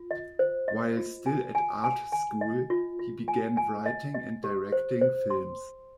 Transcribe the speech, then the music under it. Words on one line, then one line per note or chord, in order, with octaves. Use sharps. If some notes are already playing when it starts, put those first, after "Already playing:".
While still at art school he began writing and directing films.
Already playing: F4
D#5
C5
D#5
F4
G#5
G#5
G#5
G#5
D#5
F4
F4
G#5
G#5
D#5
D#5
G4
C5
C5
C6